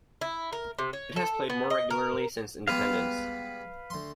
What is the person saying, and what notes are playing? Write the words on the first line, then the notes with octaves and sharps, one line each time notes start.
It has played more regularly since independence.
E4
A#4
C3
C#5
A4
B3
D#5
A#4
G3 G#3 B3 B4 F5
D2 C6